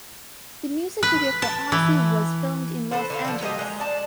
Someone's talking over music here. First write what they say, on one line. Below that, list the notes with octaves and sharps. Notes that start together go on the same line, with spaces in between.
The music video for "Icy" was filmed in Los Angeles.
B4
A5
E3
C4 A4 B4 C5
D3 C5 F5
D3 F3
F#3 A#3 G4 D#5
G#3 A#5
D5 A5